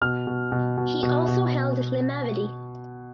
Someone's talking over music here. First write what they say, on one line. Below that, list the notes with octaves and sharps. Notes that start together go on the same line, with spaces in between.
He also held Limavady.
B2 F6
B2
B2
B2
B2
B2